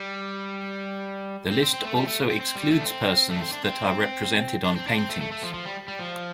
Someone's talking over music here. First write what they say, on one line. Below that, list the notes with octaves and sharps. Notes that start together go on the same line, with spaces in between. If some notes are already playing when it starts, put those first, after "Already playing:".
The list also excludes persons that are represented on paintings.
Already playing: G3
C4
C4
C4
A3
G3
A3
C4
C4
G3
A3
D4
C4
A3
D4
C4
D4
C4
D4
C4
D4
C4
A3
A3
A3
F3
F3
G3
G3
F3